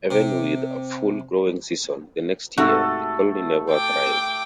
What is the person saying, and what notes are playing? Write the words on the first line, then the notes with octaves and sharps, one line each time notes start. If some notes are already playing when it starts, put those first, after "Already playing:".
Even with a full growing season the next year, the colony never thrived.
C3
G#2 C3 A3 F#4 A4
G5 D6